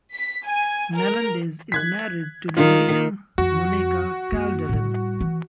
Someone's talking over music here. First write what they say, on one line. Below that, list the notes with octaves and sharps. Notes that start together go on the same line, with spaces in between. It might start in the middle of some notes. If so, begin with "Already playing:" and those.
Melendez is married to Miriam "Muneca" Calderin.
B6
G#5
A#4
F#6 G#6 B6
D#3 F4
F2 F#4
F#2 A#3
A2 G3
E3